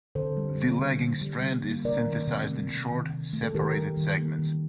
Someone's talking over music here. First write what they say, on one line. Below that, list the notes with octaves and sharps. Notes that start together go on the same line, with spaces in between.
The lagging strand is synthesized in short, separated segments.
D3 A4 C5
G3
D3
A#3
D3
G3
D3
A#3
C3 A#4 D5
D#3
C3
A3
C3
D#3
C3
A3
A4
D#3 G4 A#4
G3
D#3
A#3
D#3